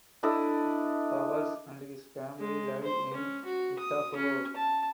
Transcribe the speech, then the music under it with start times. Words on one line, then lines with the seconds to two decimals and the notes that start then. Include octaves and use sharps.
Bowers and his family live in Idaho.
0.23 D4 E4 A4 D#5
2.39 G#3
2.84 C5
3.14 C#4
3.45 F#4
3.79 D#6
4.16 C#4
4.56 A5